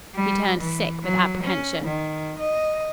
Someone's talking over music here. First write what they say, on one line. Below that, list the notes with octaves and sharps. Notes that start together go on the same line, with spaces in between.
She turned sick with apprehension.
G3
E3
F#3
C#4
D#3
D#5